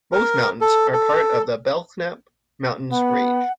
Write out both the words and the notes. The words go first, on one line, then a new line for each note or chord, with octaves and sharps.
Both mountains are part of the Belknap Mountains range.
A#4
A4
A4
B3 F#5